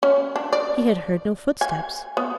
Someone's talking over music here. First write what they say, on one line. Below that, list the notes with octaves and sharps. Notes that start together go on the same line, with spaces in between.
He had heard no footsteps.
C#4
D4
D5
G#5
B3